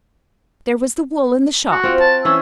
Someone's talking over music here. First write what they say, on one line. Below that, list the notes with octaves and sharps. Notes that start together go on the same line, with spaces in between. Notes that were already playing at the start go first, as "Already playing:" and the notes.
There was the wool in the shop.
F#4
C4 F4
A5
E3 C#4 E6